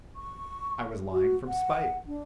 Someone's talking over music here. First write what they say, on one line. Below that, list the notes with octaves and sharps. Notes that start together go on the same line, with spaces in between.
I was lying from spite.
C#6
F#4
F#5
D4